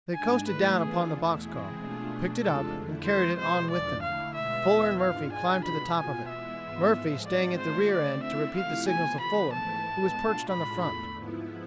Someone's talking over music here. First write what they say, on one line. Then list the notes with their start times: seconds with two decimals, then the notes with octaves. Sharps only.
They coasted down upon the box-car, picked it up and carried it on with them. Fuller and Murphy climbed to the top of it; Murphy, staying at the rear end to repeat the signals of Fuller, who was perched on the front.
0.15 G#2 G#3 D4 G#5
0.47 A2 E3 A3 B4
0.80 E3 B3 D4 F4 G#4
1.12 E2 B2 A3 E4
1.44 E3 G#3 C4 E4 G#4
1.76 B2 A3 D4 F4
2.09 B2 A3 D4
2.41 E2 C3 G#3 D4 F4 A4
2.73 F2 D3 A3 E4
3.05 C3 F3 G#3 C5
3.38 B2 G#3 B3 C5
3.71 E2 D3 F3 D5
4.03 D3 A3 E4 F5
4.35 B2 G#3 B3 F4 E5
4.67 E2 B2 B3 E4
5.00 G#2 G#3 D4 F4 F5
5.33 B2 G#3 D4 F4 G#5
5.65 B2 G#3 B3 B5
5.97 B2 B3 F4 G#5
6.29 E3 G#3 B3 E4 E5
6.62 G#2 E3 B3 F4
6.94 A2 F3 G#3
7.26 G#2 G#3 C4 F4 D5
7.58 D3 A3 D4 F4 C5
7.91 D3 A3 C4 D5
8.23 D3 A3 C4 E4 E5
8.56 C3 F3 A3 E4 F5
8.88 C3 E3 B3 F4 G#5
9.21 D3 F3 B3 B5
9.53 G#2 E3 A3 E4 A5
9.85 A2 G#3 B3
10.18 B2 A3 D4 F4
10.49 A2 G#3 D4 F4 B5
10.82 E2 D3 A3 B5
11.14 G#2 F3 B3 E4